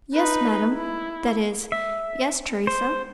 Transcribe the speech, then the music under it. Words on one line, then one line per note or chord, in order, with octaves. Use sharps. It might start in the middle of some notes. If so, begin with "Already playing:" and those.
"Yes, madame ... that is--yes, Teresa."
D#4 B4
E4
E5
C5